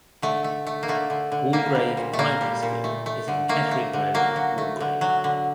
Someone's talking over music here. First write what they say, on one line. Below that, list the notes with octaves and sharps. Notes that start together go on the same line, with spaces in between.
Walgrave Primary School is in Kettering Road, Walgrave.
D3 A3
A3
A3
A#3
D3 A3
D3
D3
G3 A#3
G3
A#2
A3
A#2 A#3
G3
A#2
A3
A3
D3
A3 A#3
A3
D3
F#3 A#3
F#3
A3
D3
F#3
D3